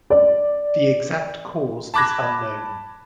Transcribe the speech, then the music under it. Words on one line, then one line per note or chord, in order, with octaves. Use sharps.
The exact cause is unknown.
D5
A5 B5 D6 F#6 G#6 A#6